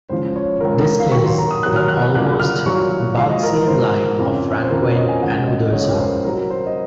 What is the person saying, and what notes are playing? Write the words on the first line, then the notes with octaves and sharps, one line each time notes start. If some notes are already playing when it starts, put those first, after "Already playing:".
This is the almost Barksian line of Franquin and Uderzo.
C#2 C#3 F3 C5
C#5
C#2 C#3 F3 A#4
A#4
A#4
F5
D#2 D#3 F#3 C#6
C6
A#5
D#6
D#2 D#3 F#3 F#6
F6
F#6
C2 A#2 F#3 F#6
F6
C2 A#2 F#3 C#6
G#2 F3 F5
D#5
A#4
A#4
G#2 F3 C5
F2 C#3 F3
C5
F2 C#3 F3 A#4
C#5
D#5
G#5
C#2 C#3 F3 F#5
D#5
D#5
C#2 C#3 F3 C#5
A#4
C5
C2 A#2 F#3 A#4
C5
D#5